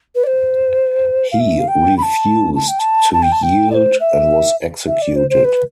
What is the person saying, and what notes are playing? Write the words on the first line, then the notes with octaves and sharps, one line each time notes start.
He refused to yield and was executed.
B4
D5
C5
F5
E5
F5
G5
B5
A5
A5
G5
A5
A5
G5
A5
G5
D5
C5
E5
E5
D5
C5
C5
B4